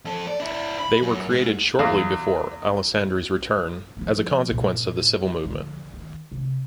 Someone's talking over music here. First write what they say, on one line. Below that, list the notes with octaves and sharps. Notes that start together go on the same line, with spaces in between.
They were created shortly before Alessandri's return, as a consequence of the civil movement.
F2 A4
D5
D4 E4
B5
F#2
G#2 G#3
E2 F5
F3 A#3
G2 A#2
D3 F3
D#3
C3